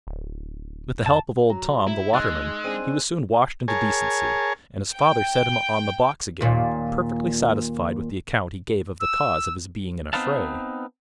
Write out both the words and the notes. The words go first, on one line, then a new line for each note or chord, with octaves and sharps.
With the help of old Tom, the waterman, he was soon washed into decency, and his father set him on the box again, perfectly satisfied with the account he gave of the cause of his being in a fray.
D1
F2 A5
F#3 A#5
E4
G#3 D#4 D#5 C6 E6 F#6 A6
C4 D4 G#4 D#7
G#4 A#4 C#5 G#5 A5
G5
D#2 A#2
E6
B3 C4 D#4 B4 F5 A5